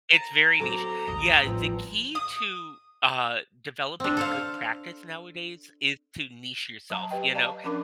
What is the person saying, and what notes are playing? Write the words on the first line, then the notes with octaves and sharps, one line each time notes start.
It's very niche. Yeah, the key to, uh, developing a good practice nowadays is to niche yourself, you know,
A5 A#5
F#3 C4 A4 D6
E1 A#1 D#2 D#5
A1 E2 F3 C4
D#6
C4 D4
A4 C5 F5
F#3 A5 A#5
G4 B4 D#5 G5
D5 D#5 F5 A5 A#5
F3 C#4 D4 A#4 D6